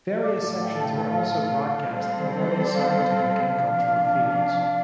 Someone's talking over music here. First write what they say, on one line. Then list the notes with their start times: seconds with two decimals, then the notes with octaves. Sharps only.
Various sections were also broadcast in various scientific and cultural fields.
0.21 A2 A3 F4 A4 D5
0.63 G5
0.73 A5
0.82 G5
1.06 F5
1.90 G3 C4 A4 C5
2.62 D5
2.74 F5
3.58 C3 F3 D4